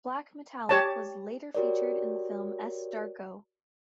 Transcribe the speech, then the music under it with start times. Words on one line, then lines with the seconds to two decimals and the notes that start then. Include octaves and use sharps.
"Black Metallic" was later featured in the film S. Darko.
0.69 G4 C#5 A5
1.55 F#4 G4 A#4 C#5 D5